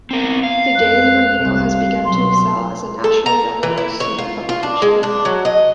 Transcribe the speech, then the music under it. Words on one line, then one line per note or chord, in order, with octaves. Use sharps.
The "Daily Reveille" has begun to excel as a nationally recognized student publication.
B3 C4 A#4
F5
F2 G#3 F#6
C2
B2 F#3 C6
A4
A#5
E3
E4
C#5
F4
F4
D4
G#3
D4
F#3
D#5